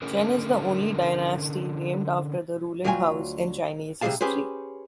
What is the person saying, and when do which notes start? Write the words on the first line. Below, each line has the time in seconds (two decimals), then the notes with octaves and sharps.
Chen is the only dynasty named after the ruling house in Chinese history.
0.02 D3 C#4 G#4 A#4
2.84 D2 F#3 F4 G5 G#5
4.01 C3 G3 G#3 G#4 F5 A5
4.21 C#4 G4 G#4 B4 C5